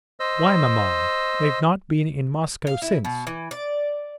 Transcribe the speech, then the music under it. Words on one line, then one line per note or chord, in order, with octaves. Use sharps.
Why, maman, they've not been in Moscow since!
C5 D#5 E6
F5
E4
B2
E3
D5